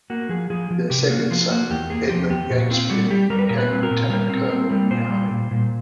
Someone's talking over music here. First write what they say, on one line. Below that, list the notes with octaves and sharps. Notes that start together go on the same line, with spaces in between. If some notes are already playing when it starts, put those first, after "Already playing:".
Their second son, Edmund Yates Peel, became a Lieutenant-Colonel in the Army.
A#3 F#4
F3 G#4
F3 G#4
F3
C3 G4
A#3 F#4
F3 F4
A#3 F#4
E2 G4
A#3 G#4
F3 G4
E2 G4
A#2 F#4
C4 F4
G3 F#4
G3 G4
G3 A#4
B4
A#2 A#4
B4
C4
A#4
A#2
G3 A#4
C4
C4
G3
A#2 C5
G3
A#2
A#2